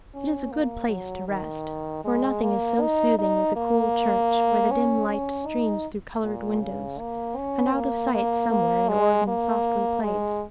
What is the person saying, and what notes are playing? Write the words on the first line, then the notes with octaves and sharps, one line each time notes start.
It is a good place to rest: for nothing is so soothing as a cool church where the dim light streams through colored windows, and out of sight somewhere an organ softly plays.
C#4
A#3
F#3
D#3
G#3
A#3
D#4
D#4
A#3
C#4
C#4
D#4
A#2
C#3
A#3
C#4
A#3
A#3
A#3
G#3
A#3
G#3